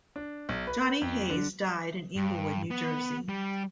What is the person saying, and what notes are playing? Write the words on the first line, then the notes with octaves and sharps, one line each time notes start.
Johnny Hayes died in Englewood, New Jersey.
D4
B1
B4
F2
D3
G2
B3
G3